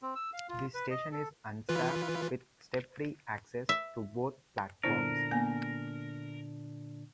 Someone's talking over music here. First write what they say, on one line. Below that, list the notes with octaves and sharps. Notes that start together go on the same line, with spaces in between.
The station is unstaffed with step-free access to both platforms.
C4
E6
F5
F4
B4
D#5
A4
E3 F4 B4
E5
A#2 D3 B3 D4 E4 A#4 C5
A#3 B3 G#5